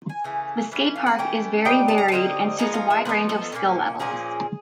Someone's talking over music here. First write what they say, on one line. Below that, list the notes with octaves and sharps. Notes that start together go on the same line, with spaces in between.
The skatepark is vary varied and suits a wide range of skill levels.
G#5
C#3 E3 A3
E3 A3 C#4
F5
F#5
E3 A3 C#4 G5
D3 G3 C4 D#4 G5
A5
A#5
A5
D3 G3 C4 D#4
F3 G#3 B3 D#4 A#5
F5
E5
F3 G#3 B3 D#4 B4
A4
A#2 F3 A#3 C#4
A#2 F3 A#3 C#4 G#4